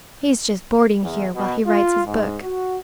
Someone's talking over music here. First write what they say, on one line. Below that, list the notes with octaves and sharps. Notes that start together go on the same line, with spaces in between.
He's just boarding here, while he writes his book.
E2
B2
F4
G#2
F#4